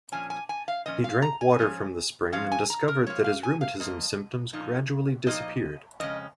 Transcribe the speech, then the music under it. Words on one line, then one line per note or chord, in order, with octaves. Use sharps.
He drank water from the spring and discovered that his rheumatism symptoms gradually disappeared.
A#2 F3 C#4 G#5
G#5
G#5
F5
A#2 F3 C#4 D#5
F5
A#5
G#5
G#2 F3 C#4
G#2 F3 C#4 F5
G#5
A#5
A#4
F2 F3 A#3 C#5
F5
G#5
F5
F2 F3 A#3 D#5
A#2 F3 A#3 D#4
A#2 F3 A#3 D#4 D#5
F2 C#3 G#3 C#4 D#5